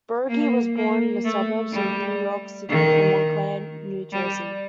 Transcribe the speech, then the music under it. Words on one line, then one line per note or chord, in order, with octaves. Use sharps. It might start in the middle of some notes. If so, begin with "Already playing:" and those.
Burgi was born in the suburbs of New York City in Montclair, New Jersey.
A#3
A#3
A3
G3
D#3
G3